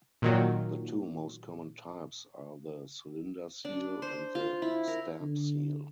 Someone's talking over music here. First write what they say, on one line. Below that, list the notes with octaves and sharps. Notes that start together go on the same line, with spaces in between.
The two most common types are the "cylinder seal" and the "stamp seal".
A#2 D#3 F#3
D4
C5
F4
E4
A#4
D3